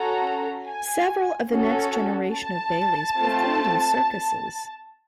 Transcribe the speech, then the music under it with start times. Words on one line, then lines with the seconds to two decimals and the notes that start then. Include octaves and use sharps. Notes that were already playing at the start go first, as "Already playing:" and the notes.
Several of the next generation of Baileys performed in circuses.
Already playing: C#4 F#4 A4 A#5
0.67 G#5
1.50 C#4 F#4 A4
2.33 A5
3.16 A3 C4 F4